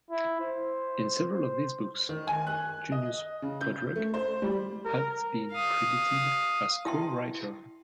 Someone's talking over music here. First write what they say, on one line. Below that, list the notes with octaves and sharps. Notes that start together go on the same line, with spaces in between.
In several of these books, Junius Podrug has been credited as co-writer.
E4
C5
D#3
G#5
F#6
D#5
C#3
G6
A3
C5
G3
A#4
F5 D#6
E4 E5 G5 A5 C6